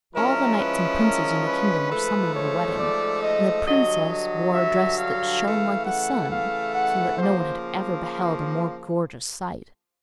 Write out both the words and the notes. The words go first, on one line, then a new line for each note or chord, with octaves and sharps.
All the knights and princes in the kingdom were summoned to the wedding, and the princess wore a dress that shone like the sun, so that no one had ever beheld a more gorgeous sight.
F3 G#3 C#4 E4 A#4
B4
A#4
B4
G#2 F3 A3
C#5
D5
D#5
G2 D3 F#3 D#5
D#5
E5
F5
C#3 E3 A3
F#5
F5
F#5
C#3 F3 A#3 C5